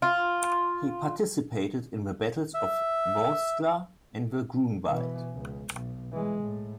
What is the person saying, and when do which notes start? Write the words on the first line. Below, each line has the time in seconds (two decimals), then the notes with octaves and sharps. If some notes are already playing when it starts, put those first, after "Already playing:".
He participated in the Battles of Vorskla and the Grunwald.
0.02 F4
2.54 E5
4.87 B2 E3
5.34 C#2
5.72 B1
6.12 E3 G#3
6.43 A2